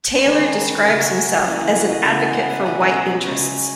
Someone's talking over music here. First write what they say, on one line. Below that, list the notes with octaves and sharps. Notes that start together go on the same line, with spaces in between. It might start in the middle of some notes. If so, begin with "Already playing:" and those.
Taylor describes himself as an advocate for white interests.
C#6
D#3 G#3 C#4 B5
A#5
B5
C#6
C#3 F#3 C#4 A#5
E5
E3 A#3 C#4 G#4
E4
F#4
D#5
C#3 G#3 B3 E5
E5
F#5
G#5
E5
B2 G#3 C#4 F#5
G#5
A#5
B5
C#3 G#3 C#4 A#5
G#5